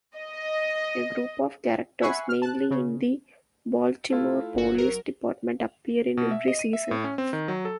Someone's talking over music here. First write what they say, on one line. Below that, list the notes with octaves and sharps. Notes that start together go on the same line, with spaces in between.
A group of characters, mainly in the Baltimore Police Department, appear in every season.
D#5
E5 F#5 G#5 B5 C#6 C7
F6
A5 F#6
C#3
A3 E4 F4
G1 F#4
F#3 A#4
B2
E5
D#5
D#7
E5
A2
C#4
C4
D#3
F#3
A4